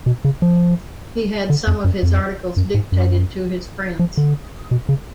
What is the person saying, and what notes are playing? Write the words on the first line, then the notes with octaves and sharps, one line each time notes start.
He had some of his articles dictated to his friends.
B2
C#3
F3
D3
F2
F#2
F2
F#2
G#2
F#2
F3
D3
B2
C#3